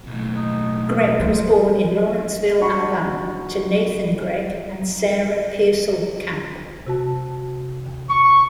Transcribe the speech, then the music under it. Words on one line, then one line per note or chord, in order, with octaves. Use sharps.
Gregg was born in Lawrenceville, Alabama, to Nathan Gregg and Sarah Pearsall Camp.
B1 A2
D#4
G3 A3 C5
D4 F#4 B5
C3 F#4 A5
C#6